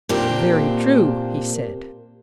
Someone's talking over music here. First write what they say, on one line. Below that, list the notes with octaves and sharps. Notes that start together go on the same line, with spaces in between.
Very true, he said.
A#2 A#3 C4 D4 G4